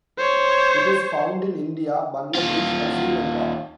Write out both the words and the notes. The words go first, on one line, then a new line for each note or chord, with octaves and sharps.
It is found in India, Bangladesh, and Sri Lanka.
C5 C#5
D#2 F4